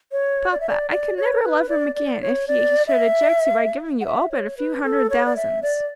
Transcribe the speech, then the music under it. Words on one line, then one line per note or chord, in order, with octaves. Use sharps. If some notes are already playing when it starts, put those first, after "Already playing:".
"Papa, I could never love him again, if he should object to my giving you all but a few hundred thousands."
C#5
D5
E5
D5
D5
C#5
B4
D5
D5
C#5
D5
E5
F#5
E5
C#5
B4
A4
C#5
D5
E5
D5